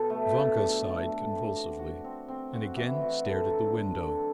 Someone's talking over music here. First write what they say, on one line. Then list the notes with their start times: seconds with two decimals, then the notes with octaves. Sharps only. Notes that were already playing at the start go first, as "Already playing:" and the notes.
Vanka sighed convulsively, and again stared at the window.
Already playing: B2 A4
0.10 A3
0.34 D4
0.58 D4
0.83 A4
1.06 A3
1.31 C4
1.55 F#4
1.79 F#4
2.04 C4
2.28 C4
2.53 F#4
2.77 E3
3.01 F#4
3.26 D3
3.50 F#3
3.74 D3
3.99 D3